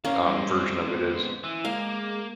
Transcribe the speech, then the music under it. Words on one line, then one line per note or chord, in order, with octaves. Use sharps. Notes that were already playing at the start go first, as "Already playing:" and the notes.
um, version of it is.
G2 A#3 C#4 F5
G3 G#3 C4
B3
E3 C6
G#3 A#3 F5